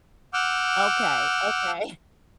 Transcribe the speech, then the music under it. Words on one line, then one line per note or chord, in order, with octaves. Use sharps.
Okay, okay.
F#5 D6 E6 F6 G6